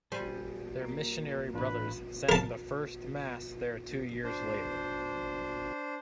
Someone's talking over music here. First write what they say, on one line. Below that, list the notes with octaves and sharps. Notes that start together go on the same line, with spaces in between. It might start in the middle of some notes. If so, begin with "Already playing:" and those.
Their missionary brothers sang the first Mass there two years later.
G3 A4 C5 G#5 G6
A#3 A#4
A1 D4 F4 B4
A#4 A5
D4 C5